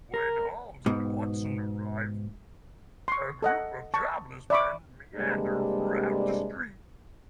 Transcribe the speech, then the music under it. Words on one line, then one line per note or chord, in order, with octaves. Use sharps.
When Holmes and Watson arrive, a group of jobless men meander throughout the street.
A#4
G#2 B2
C6 C#6
A4 D#5 F#5
A5 C#6
D5 E5 B5 C#6 D6
G2 C3 G3 G#3 A#3 D4